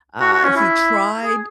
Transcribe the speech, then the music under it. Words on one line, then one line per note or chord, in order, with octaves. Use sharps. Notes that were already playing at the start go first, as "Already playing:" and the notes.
Uh, he tried
F#4
F#4
C#4
E4
G#4